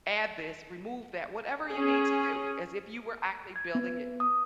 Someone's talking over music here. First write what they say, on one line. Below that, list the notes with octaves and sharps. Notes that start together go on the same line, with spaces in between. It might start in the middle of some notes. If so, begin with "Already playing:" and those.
add this, remove that, whatever you need to do as if you were actually building it"
C#4 G#4
G#6
B3
D#6